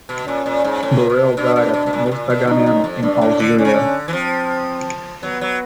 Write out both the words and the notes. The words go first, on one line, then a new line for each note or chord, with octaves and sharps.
Borel died at Mostaganem in Algeria.
B2
A#2 C#4
A#2
G#2
A2
B2
B2 D4
B2
B2
B2
A#2
A2
A#2
B2
G2 D#4
F#2
F2
G2 D4
A2
D3
D3 C#4
C#3
D3
E3
F3 C4
F#3 B3
F#3